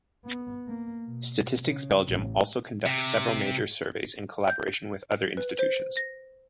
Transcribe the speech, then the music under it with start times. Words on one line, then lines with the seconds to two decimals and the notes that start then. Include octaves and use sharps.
Statistics Belgium also conducts several major surveys in collaboration with other institutions.
0.24 B3
0.67 A#3
1.05 B2
1.63 C#3
2.07 A1
2.86 C3
4.50 G6
5.37 B4
5.59 C5
5.97 A#6